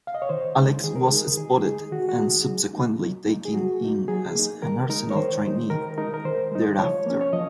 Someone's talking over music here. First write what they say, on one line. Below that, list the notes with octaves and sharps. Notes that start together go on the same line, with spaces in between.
Alex was spotted and subsequently taken in as an Arsenal trainee thereafter.
F5
D#5
C#5
D#3 C5
G#3 D#4
D#3 G#4
A#4
G#3 D#4 G#4
D#3 G#4
G#3 D#4 G#4
D#3 F#4
F#4
G#3 D#4 G#4
F#3
A#3 D#4
F#3
A#3 D#4
G#4
F#3 F#4
A#3 D#4
F#3 G#4
A#3 D#4
D#3 A#4
G#3 D#4 A#4
C#5
D#3 C5
G#3 D#4
D#3 A#4
G#3 D#4 A#4
A#4
D#3 C5
G#3 D#4
F3 C#5
A#3 C#4
C#5
F3 D#5